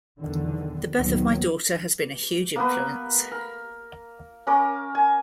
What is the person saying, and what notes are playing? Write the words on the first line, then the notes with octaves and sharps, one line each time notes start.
The birth of my daughter has been a huge influence.
B1 E2 D3 D#3
F#1 D2 A#2 D#3 F#3 B3
A#3 B3 B4
A#4
C#4 A#4 D6
G#5